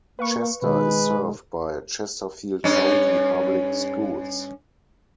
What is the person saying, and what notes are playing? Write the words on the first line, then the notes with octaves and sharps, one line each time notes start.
Chester is served by Chesterfield County Public Schools.
A#3 B4 F5 C#6
B2 D#3 G#3 D#4 B4
G2 C#4